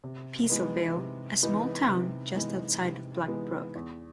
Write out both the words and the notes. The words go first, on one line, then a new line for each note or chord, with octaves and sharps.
Peasleville: A small town just outside of Black Brook.
C3
E3 G#3 B3 D#4
C3
E3 G#3 B3 D#4
C3
E3 G#3 B3 D#4
C3
E3 G#3 B3 D#4
E2